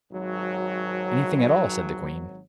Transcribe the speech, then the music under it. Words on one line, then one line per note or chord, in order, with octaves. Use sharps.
"Anything at all," said the queen.
G#1 F#3